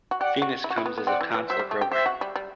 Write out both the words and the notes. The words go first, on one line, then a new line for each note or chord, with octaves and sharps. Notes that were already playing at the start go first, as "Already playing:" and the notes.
Fenix comes as a console program.
F#4
G4 D5 F#5
F#4
E4
F#4
E4
B3
B3
C4 D5 F#5
E3
E3
F#3 C5 E5
G3
A3
G4
G4 C5 E5
F#4
G3
G3